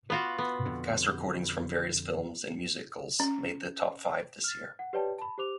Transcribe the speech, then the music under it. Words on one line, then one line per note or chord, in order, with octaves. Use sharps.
Cast recordings from various films and musicals made the top five this year.
B3 F4 F#4 B4 F5
B3
F2 B2 D3
C#4
F6 A6
F#5
G4 B4 C#5 D5 G5 A5
A5 B5
G4 C5 D6 F7